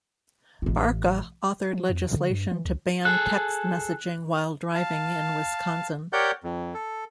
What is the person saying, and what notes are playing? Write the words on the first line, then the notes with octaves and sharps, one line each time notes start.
Barca authored legislation to ban text messaging while driving in Wisconsin.
A1 F4
F3
F2
D3
G2
E3
C#2
G#4 A4 F#6
F5 A5
G4 A#4 C#5 D5 F#5 G6
F2
A4